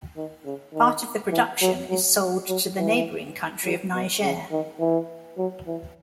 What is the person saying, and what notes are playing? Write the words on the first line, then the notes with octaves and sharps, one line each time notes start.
Part of the production is sold to the neighbouring country of Niger.
D#3
C#3
D#3
E3
F#3
F#3
F#3
E3
F#3
B2
C#3
D#3
E3
F#3
E3